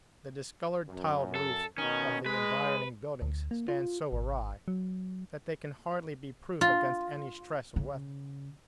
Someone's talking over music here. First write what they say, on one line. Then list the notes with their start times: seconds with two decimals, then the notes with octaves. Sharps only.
The discoloured tiled roofs of the environing buildings stand so awry, that they can hardly be proof against any stress of weather.
0.89 F#2
1.35 A4
1.78 B2 D#3 C#4 D#4
2.26 G#3 B4
3.22 D2
3.51 A#3
3.68 F4
4.12 G#1
4.68 F#3
6.61 F4
7.76 C#3